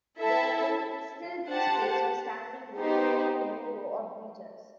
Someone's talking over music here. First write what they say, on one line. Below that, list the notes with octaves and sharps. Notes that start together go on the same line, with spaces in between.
There will still be space for standing room behind the new row of bleachers.
E4 A4 E5 A5
G4 C5 F#5 A5
B3 D#4 G4 C5